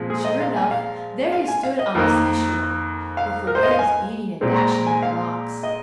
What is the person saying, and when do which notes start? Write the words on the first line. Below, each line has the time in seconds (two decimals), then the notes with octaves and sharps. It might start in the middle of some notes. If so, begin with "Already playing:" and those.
Sure enough, there he stood on the sea-shore, with the waves beating and dashing on the rocks.
Already playing: A#2 F3 G#3 C4
0.10 G#4
0.25 D#5
0.40 F5
0.56 G#5
0.71 F5
1.32 F5
1.48 G#5
1.63 F5
1.79 D#5
1.95 F2 D#3 A#3
3.17 F5
3.47 A#4
3.55 C5
3.63 D#5
3.71 F5
3.79 G#5
4.41 A#2 G#3 C4
4.56 A#5
4.72 A#5
4.87 G#5
5.03 F5
5.63 D#5